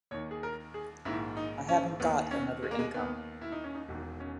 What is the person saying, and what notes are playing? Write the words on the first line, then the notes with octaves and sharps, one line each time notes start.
I haven't got another income.
D#2 D#3 C#5
G#4
A#4
G#4
A#1 G#2 D#3 E4
D#4
C#4
D#2 D#3 B3
C#4
G#3
A#3
G#3
D#2 D#3 B3
E4
D#4
C#4
D#4
E1 E2 D#3
C#4